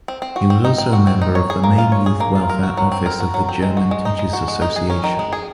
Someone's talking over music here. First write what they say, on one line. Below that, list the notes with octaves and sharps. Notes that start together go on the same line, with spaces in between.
He was also a member of the main youth welfare office of the German Teachers' Association.
C4
C4
F#4
C4
D#4
C4
F#4
C4
D#4
C#5
G#4
A#3
F4
C#5
G#4
A#3
F4
A#4
F#4
F#3
C4
A#4
F#4
F#3
C4
G#3
F#4
G#3
D#4
G#3
F#4
G#3
D#4
G#4
C#4
D#3
G#3
G#4